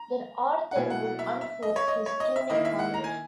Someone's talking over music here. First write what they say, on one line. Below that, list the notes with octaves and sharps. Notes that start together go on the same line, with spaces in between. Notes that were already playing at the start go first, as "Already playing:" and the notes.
Then Arthur would unhook his tunic collar.
Already playing: A#5
F#5
B2 F#3 A#3 E4 G#5
F#5
F#5
E5
E5
D#5
C#5
D#5
C#5
D#5
E5
D#3 A#3 E4 D#5
E5
F#5
A#5
G#5